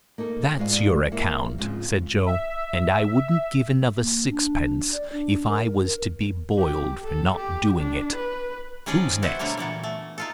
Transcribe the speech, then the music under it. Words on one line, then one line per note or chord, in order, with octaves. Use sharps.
"That's your account," said Joe, "and I wouldn't give another sixpence, if I was to be boiled for not doing it. Who's next?"
A#3 D#4 A4 A#4
G#2 G#3 F4 D5 F5
A#3 E4 C#5
F2 G#2 C#3 F4
E5
A#3
D4
D5
D4
A#4
G4
A4
G4
D4
B4
D#3 F3 C#4 G#4 D5 D#5
B3 E4 F#4 C5
B2 D3 F#3 G3 A3 A#3
A#2 E3 B3 F#4
A3
D#4 F4 A4